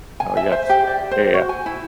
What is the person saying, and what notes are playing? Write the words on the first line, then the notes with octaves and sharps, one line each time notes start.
Oh, yes. Yeah, yeah.
G#5
E5
C5
G4
D5
C5
F#4
G#5
E4